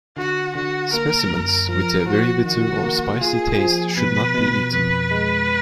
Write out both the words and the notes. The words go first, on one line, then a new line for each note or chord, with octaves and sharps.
Specimens with a very bitter or spicy taste should not be eaten.
D3 F#4
D3 F#4
A#3 A#4
F#2
F3 A#4
F3 F#4
D#3 F#4
A#3
F4 G#4
F3
B2 B4
B2
F2 B4
G#3